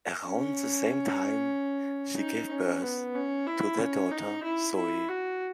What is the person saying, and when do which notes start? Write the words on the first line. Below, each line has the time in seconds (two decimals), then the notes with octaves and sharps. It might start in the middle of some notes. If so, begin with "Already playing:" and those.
Around the same time, she gave birth to their daughter, Zoe.
0.24 C#4
2.18 D#4
2.49 C#4
2.82 B3
3.15 C#4
3.47 E4
3.79 C#4
4.11 D#4
4.43 E4
4.75 E4
5.08 F#4